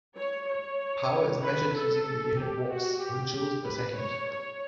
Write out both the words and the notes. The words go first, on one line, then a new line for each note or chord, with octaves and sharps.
Power is measured using the unit "watts", or "joules per second".
C#5
C#5
B4
A4
G4
F#4
G4
G4
B4
C#5
C#5